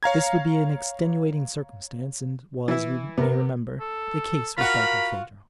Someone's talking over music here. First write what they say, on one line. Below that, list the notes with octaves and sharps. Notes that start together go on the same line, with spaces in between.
This would be an extenuating circumstance, and was, we may remember, the case with Barkilphedro.
C#5 F5 A#5 G#6
E3 E4
C3 B3 A#4
A4
F4 F#4 A#4 B5